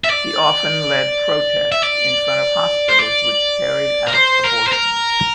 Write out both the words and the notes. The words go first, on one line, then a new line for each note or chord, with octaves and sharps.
He often led protests in front of hospitals which carried out abortions.
E5
D5
E5
D5
C5
D5
A#4
C5
A#4
C5
A#4